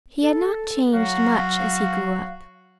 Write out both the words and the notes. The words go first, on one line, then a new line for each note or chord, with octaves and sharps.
He had not changed much as he grew up.
A4
F#3 F#4 F5